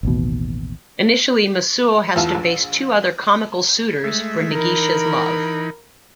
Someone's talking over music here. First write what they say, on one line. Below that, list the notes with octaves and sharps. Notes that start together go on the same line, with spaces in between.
Initially, Masuo has to face two other comical suitors for Nagisa's love.
A1 D#2 B2
E2 E4 F4 F5 A5 E6
A#1
G#3 A3 E5
E3 D#4 A#4 B5